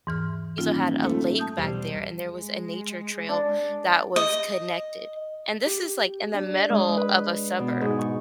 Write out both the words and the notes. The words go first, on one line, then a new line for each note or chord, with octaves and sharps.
also had a lake back there, and there was a nature trail that was connected. And this is, like, in the middle of a suburb.
E2 G#2 E3 F6
D#1 F4
A3
A5 D#6 G6
B1 E2 G3 C5
G#3
D4
D#5
G4
D4
G#3
B4
B2
G#2
C#6